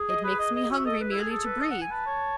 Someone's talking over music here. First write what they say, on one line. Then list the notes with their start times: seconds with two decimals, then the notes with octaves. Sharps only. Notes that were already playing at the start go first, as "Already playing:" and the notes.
It makes me hungry merely to breathe.
Already playing: G#4
0.09 D#5
0.24 B4
0.39 D#5
0.55 D#5
0.65 G#4
0.70 F#4 E5
0.85 A4 D#5
1.01 B4
1.11 E4
1.16 G#4 A4
1.31 G#4 A4
1.46 B4
1.61 D#5
1.71 F#5
1.82 G#5
1.91 B4 A5
2.06 C#5